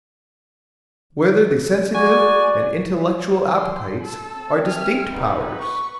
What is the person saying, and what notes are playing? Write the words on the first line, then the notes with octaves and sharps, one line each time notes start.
Whether the Sensitive and Intellectual Appetites Are Distinct Powers?
F#4 D5 G#5
C6
A4
C4 A5
E5 G#5 F6
B3 D#4 B4
C#6